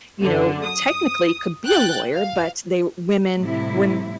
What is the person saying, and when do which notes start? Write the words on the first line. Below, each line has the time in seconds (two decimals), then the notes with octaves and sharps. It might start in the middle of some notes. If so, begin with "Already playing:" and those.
you know, technically could be a lawyer, but they Women were
0.18 F#2 D3
0.65 D#6
1.65 G5 F#6 G6 A6
2.13 F5
3.39 A2 C3 F3 G3 E4